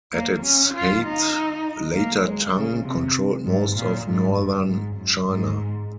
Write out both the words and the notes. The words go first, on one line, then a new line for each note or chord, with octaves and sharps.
At its height, Later Tang controlled most of northern China.
A#3
C#4
F4
D#4
A#3
G#3
C#3
C3
G#2
A#2
G#2
F#2
G#2
F#2
G#2